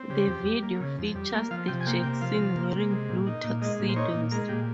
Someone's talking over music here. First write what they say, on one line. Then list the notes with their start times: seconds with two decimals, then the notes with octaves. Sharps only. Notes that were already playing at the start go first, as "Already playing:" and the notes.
The video features The Jacksons wearing blue tuxedos.
Already playing: C4
0.10 C#3 G4
0.27 F2
0.46 G3
0.62 A#3
0.80 C#3
0.98 F2
1.15 G3
1.33 A#3
1.51 F3 F5
1.68 C3 G5
1.81 G#5
1.86 A#3 G5
2.03 C3 G5
2.21 F3 F5
2.38 C3
2.57 A#3
2.74 C3
2.91 G#3
3.09 A#2
3.27 D#4
3.44 A#2
3.62 G#3 D#5
3.80 A#2
3.89 C5
3.96 D#4 C#5
4.14 A#2
4.32 G#3 A#4
4.49 A#2 G4